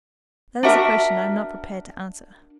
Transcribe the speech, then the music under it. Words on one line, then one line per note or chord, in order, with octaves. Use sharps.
"That is a question I am not prepared to answer."
D4 F#4 A#4 E5